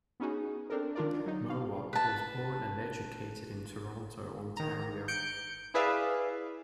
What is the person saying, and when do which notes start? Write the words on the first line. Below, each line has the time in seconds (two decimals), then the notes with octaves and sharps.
Mowat was born and educated in Toronto, Ontario.
0.20 B3 C#4 D#4 F#4 G#4
0.70 C4 D4 A4 A#4
0.95 D#3 D4 F4 A#4 D5
1.26 F#3 D#4
1.49 F5
1.93 B4 A5
4.57 D#3 A#5
5.08 G6 C#7 D7
5.74 E4 G#4 B4 D5 E5 F5